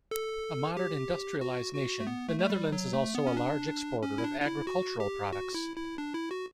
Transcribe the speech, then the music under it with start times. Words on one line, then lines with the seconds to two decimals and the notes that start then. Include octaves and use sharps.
A modern, industrialised nation, the Netherlands is also a large exporter of agricultural products.
0.11 A4
0.77 G4
1.41 F#4
1.74 F#4
2.00 A3
2.07 B3
2.29 A3
2.39 A3
2.50 G3
2.72 F#3
2.93 A3
3.15 B3
3.27 C#4
3.37 D4
4.03 C#4
4.18 E4
4.24 D4
4.41 D4
4.46 E4
4.67 F#4
5.00 G4
5.32 F#4
5.54 E4
5.76 E4
5.98 D4
6.14 E4
6.31 F#4